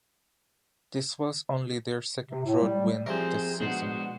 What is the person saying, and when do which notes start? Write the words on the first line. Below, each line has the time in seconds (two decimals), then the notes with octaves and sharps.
This was only their second road win this season.
2.29 C3
2.45 A2
2.61 G3
3.06 F3 A3 C4 G4 G#4 A#4 C5
3.60 B2 G#3 D4 C5 F#5